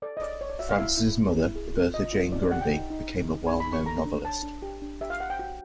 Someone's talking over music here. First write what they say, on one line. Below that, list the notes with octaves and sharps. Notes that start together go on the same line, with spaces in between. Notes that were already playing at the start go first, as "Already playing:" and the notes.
Francis' mother, Bertha Jane Grundy, became a well-known novelist.
A4 D5
D#5
C#5 D5
C#5
D5
F#4 E5
F5
E4 E5
E4
E4
E4
G#4
F4
F4 D#5
F4
D#4 D5
D5
G4 F#5
G5
D#4
D#4
D#4
D#4
D#4 G#5
B5
D#4
C#6
A4 A#5
D4
C#5 A5
D4
G4
D4
G4 E5
F5
G4 F#5
G5
F#4